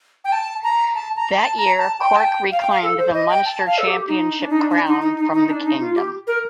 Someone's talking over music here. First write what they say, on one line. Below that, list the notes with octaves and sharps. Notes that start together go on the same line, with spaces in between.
That year Cork reclaimed the Munster Championship crown from the Kingdom.
G5
A5
A#5
A5
A#5
A5
A#5
A5
G5
A5
G5
F5
G5
F5
A4
C5
D#5
G5
A5
F5
A4
G4
D#4
D4
D#4
D4
D4
D#4
D#4
D#4
D#4
D4
D#4
F4
G4
A#4